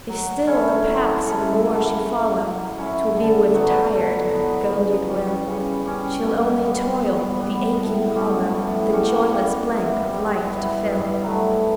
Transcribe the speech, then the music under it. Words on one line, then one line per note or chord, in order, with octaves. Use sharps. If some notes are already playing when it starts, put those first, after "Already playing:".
If still the paths of lore she follow, 'Twill be with tired and goaded will; She'll only toil, the aching hollow, The joyless blank of life to fill.
F#3
C#4 E4 A4
F#3
C#4 E4 A4
F#3
C#4 E4
F#3
C#4 E4
D3
F#3 B3 F#4
D3
F#3 B3 F#4
C#3
G3 C#4
C#3
G3 C#4
B2
G3 B3
B2
G3 B3
A2
G3 C#4 F#4
A2
G3 C#4 F#4
G3
B3 E4
G3
B3 E4
G2
F#3 A3